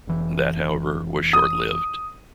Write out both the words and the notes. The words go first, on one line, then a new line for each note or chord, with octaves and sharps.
That however, was short-lived.
F1 E3
D#6